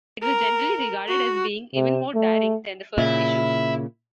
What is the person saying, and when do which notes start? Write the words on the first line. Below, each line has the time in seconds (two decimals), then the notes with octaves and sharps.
It was generally regarded as being even more daring than the first issue.
0.22 A#4
1.07 F#4
1.74 C3
2.15 A3
2.98 A#2 C#3 E4